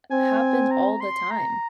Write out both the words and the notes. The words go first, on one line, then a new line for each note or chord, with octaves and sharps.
happen all the time.
C4 G#5
A#5
C6
A#5